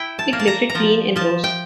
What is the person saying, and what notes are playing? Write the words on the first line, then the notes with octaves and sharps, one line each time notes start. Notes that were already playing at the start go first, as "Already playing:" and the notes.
It lifted clean and rose.
Already playing: E4 G5
A5
A#3
A5
A#5
A#5
F3 A5
F3 A5
G5